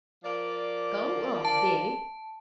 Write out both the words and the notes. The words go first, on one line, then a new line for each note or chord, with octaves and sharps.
"Go on, Billy."
F3 A#3 D5
A5